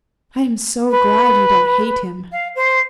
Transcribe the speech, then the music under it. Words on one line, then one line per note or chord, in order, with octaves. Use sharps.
"I am so glad you don't hate him."
B4
F5
C5